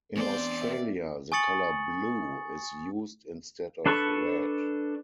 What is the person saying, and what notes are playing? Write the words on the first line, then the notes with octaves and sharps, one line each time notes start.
In Australia, the color blue is used instead of red.
E2 B3 C4 D4 C5 D5
C4 A#4 E5
G#5 C#6 D#6 A6 C#7 F#7
D4 A4 B4 A5 C#6